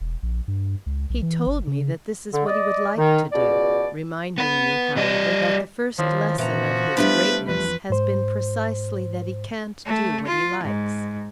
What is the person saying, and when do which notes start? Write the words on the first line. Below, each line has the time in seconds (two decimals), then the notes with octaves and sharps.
He told me that this is what he would like to do; reminding me, however, that the first lesson of his greatness has been precisely that he can't do what he likes.
0.01 E1
0.23 A#1
0.48 G2
0.86 C#2
1.10 B1
1.23 E3
1.47 G1
1.67 C#3
2.33 D3
2.46 D5 D#5
2.97 D#3
3.32 C#2 B2 D5
4.38 B3 B4
4.97 G3 D#5
5.99 D#3 F3 E4 C#5
6.38 A#2 C#3 E3 F3 F#4 A#5
6.97 G3 A3 B3 D4 E4 B4
7.48 E2 F3 B4
7.90 G#2 C5
9.86 A3
10.27 F4
10.64 G#2